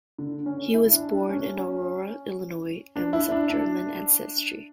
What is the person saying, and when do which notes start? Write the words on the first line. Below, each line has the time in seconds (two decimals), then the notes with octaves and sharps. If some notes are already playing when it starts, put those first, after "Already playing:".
He was born in Aurora, Illinois, and was of German ancestry.
0.18 D3
0.46 C#4
0.74 E4
0.92 D4
1.11 D4
1.29 C#4
1.57 C#4
2.96 D4
3.13 E4
3.31 D4
3.50 D4